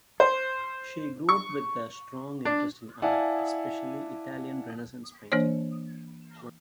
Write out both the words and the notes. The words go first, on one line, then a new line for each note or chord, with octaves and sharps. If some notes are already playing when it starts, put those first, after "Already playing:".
She grew up with a strong interest in art, especially Italian Renaissance painting.
C5
C#6
D4
E4 D5 F5 F#5 G#5 A5
E3 A#3 D4 C5 C#5